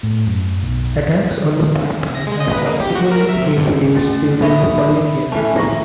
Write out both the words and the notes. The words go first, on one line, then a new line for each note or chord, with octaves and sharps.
Attacks on the pipeline have subsequently been reduced during the following years.
A2
F#2
B1
A#6
G#3
D#5
B4
A#3
G4
F#4
A#4
E5
C3
G2
A3 C#4 A6
A#3 E4 C#5 D#5 E5 B5
A2 E3 C#4 A5
A#5 C#6 A#6